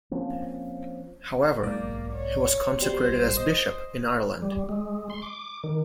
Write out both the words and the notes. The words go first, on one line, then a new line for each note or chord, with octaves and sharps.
However, he was consecrated as bishop in Ireland.
F3 A#3 C4 C#4
B1 G#2 A#3 D5
C#5
B2 G3 C5
D#5
G3
G#3
C6
D6
D#3